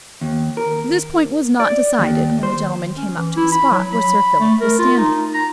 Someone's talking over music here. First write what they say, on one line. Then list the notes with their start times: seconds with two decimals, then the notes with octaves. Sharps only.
This point was not decided when the gentlemen came up to the spot where Sir Philip was standing.
0.21 D#2
0.57 A#4
1.60 D5
1.99 D#2
2.43 C5
2.97 C#4
3.17 E3
3.37 E4
3.52 B5
3.71 F#3
3.92 B5
4.40 A3
4.61 A#4
4.79 F4
4.98 D#4
5.34 A#5